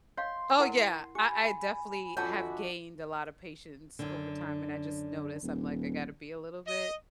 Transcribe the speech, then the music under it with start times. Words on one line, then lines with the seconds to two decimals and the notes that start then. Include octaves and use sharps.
Oh yeah, I I definitely have gained a lotta patience over time and I just noticed, I'm like, "I gotta be a little bit
0.17 C#5 D#5 F5 C6
0.59 E4 A#4 F#5
1.15 G4 G#5 B5
2.17 F2 D4 F#4 C#5 E5 F#5 A5
3.99 F#2 D3
5.43 D#1
6.67 D#5